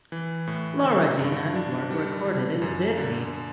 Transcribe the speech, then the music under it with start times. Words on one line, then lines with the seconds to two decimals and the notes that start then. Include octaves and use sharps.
Laura Jean Englert recorded in Sydney.
0.12 E3
0.47 A2
0.84 D3
1.19 G2
1.55 D4
1.91 G3
2.26 D3
2.62 F#2
2.97 D3